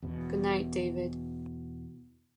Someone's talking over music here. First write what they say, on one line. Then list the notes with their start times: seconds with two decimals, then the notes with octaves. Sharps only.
Good night, David.
0.02 E2 B2